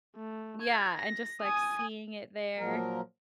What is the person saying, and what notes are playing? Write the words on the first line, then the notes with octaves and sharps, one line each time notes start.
Yeah, and just like seeing it there.
A3
G#6
A#6
G#5 D#6
A#2 F3 F#3 A#4